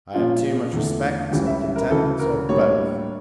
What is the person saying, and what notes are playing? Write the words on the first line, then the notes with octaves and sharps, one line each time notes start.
I have too much respect or contempt, or both ...
A#2 F3 C#4 F4
E2 D3 A3
C#2 C#3 E3 G3 C#4 G4
E5
E5
A#4
D2 C#3 E3 A4
A#4
A2 G3 A#3 D4 C#5